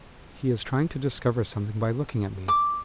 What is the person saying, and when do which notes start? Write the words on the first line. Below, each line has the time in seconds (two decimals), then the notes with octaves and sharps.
He is trying to discover something by looking at me!
2.48 D6